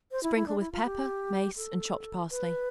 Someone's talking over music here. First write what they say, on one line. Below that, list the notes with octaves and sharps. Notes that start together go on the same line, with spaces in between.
Sprinkle with pepper, mace and chopped parsley.
C5
E4
E4
D4
E4
F4
G4
A4
B4